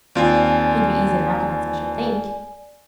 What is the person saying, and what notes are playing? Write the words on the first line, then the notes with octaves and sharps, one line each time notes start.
He'd be easy to recognise, I should think.'
D#2 C4 F4 D5 G#5